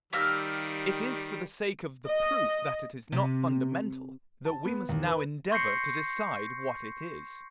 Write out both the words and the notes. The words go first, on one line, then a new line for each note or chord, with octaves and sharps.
It is for the sake of the proof that it is not fundamental that we must now endeavour to decide what it is.
D#3 G3 G4 F5 E6 F6 A#6 B6
D#5
C3
A5
B3
D#2
B4
C6 C#6 G6 A#6 C7 C#7